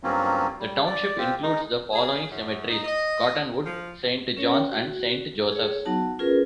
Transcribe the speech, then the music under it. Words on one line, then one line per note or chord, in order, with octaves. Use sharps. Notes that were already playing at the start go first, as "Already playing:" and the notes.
The township includes the following cemeteries: Cottonwood, Saint Johns and Saint Josephs.
G2 F#3 A#3 C4 C#4 F4
G3
D5
C4 F4 G4
G#3 D#4
G#4
F#2
D#4
D#5
F3
C#4 A#4 C#5
G5
F#4
G#4 C#5
F#3 B3 D#4 F#4 A5
C#4 F4 G#4 A#4 B4